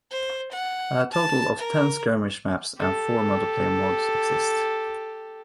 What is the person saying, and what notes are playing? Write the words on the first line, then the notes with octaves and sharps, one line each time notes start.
A total of ten skirmish maps and four multiplayer modes exist.
C5
F#5
A5
A#4
G4 A4